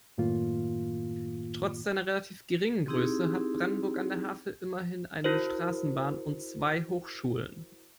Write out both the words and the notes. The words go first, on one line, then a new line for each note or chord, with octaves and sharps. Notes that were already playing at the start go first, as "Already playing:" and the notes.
Trotz seiner relativ geringen Größe hat Brandenburg an der Havel immerhin eine Straßenbahn und zwei Hochschulen.
F#2 A2 D#3 A#3 F4
C4 D#4 E4 G4 G#4
E4 F#4 A#4 C5